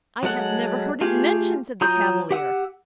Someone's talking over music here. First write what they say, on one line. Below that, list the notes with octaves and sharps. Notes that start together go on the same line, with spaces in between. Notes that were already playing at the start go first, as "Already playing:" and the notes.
"I have never heard it mentioned," said the Cavalier.
F#3 G#3 A4 F#5
A3 F4 G4 G#4
F#3 F4 A#5 D#6 G6
G4 F#5 E6